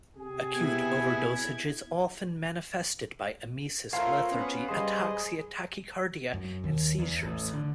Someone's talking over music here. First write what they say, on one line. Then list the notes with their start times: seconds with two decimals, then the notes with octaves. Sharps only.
Acute overdosage is often manifested by emesis, lethargy, ataxia, tachycardia and seizures.
0.16 C3 G4 G#4
0.54 B2 B3 E4 G#6
3.93 A3 F4 A4 A#4 C5 C#5 F5
4.31 B3 C#4
4.69 G3 G#4 B4 C5 D#5
6.34 F#2
6.64 D#2
6.98 E2
7.23 A1
7.53 D3